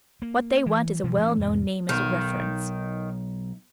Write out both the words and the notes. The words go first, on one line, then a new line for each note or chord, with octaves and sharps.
What they want is a well-known name as a reference.
A#3
E3
B2 E3 F#3 G#3
E3 A3 C#4
E2 G#2 C3
B1 D#3